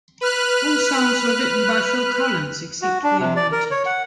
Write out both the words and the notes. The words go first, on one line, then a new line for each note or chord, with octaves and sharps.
All songs were written by Phil Collins, except where noted.
B4 F6 F#6
F#4
D4
C3
D5
A#4
C#5
F#5